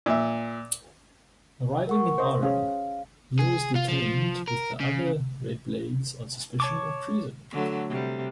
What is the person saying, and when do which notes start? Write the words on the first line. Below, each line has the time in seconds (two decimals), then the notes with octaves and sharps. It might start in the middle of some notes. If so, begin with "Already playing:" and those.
Arriving in Aren, Yil's detained with the other Red Blades on suspicion of treason.
0.06 A#2 E5
1.87 A#4 F#5 C#6
2.18 C5 D#5
2.43 C#4 G#4 C#5 F5
3.39 G#4
3.75 F4
3.88 F3
4.48 A#4
4.80 C#3
6.60 C#5 A5 C#6 D6
7.52 D3 F#3 A3
7.89 C3 G3